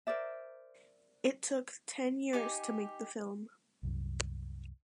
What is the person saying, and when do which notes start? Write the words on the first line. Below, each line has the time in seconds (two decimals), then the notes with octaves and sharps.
It took ten years to make the film.
0.07 A#4 C5 D5 E5
2.33 D#4 G4 G#5 D6
3.83 C2 F#2